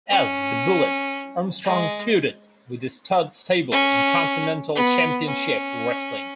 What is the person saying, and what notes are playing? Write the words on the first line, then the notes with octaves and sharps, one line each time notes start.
As "The Bullet", Armstrong feuded with the Stud Stable in Continental Championship Wrestling.
C#4
G#3
C#4
B3
C#4